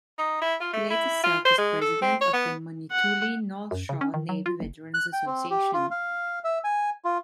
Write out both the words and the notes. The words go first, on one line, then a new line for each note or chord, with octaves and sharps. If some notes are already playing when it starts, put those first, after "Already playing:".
He later served as president of the Manitoulin-North Shore Navy Veterans Association.
D#4
E4
F4
A3
E4
F4
C5
G#3
A4
C4
C#5
B3
F#5
F#2
C#3
C#4
D#3
F#3
F4
F#1
F#6
G5
C4
G4
F4
F5
E5
G#5
F4